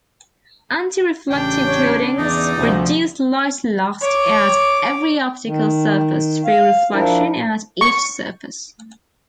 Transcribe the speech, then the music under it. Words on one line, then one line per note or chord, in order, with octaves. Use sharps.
Anti-reflective coatings reduce light lost at every optical surface through reflection at each surface.
A1 C#3 D4 G5
C#5
E2 D#4 D5
D2 C3 F3
C#5 D6
D#3
F5
F3 D4 E4 A#4
C#6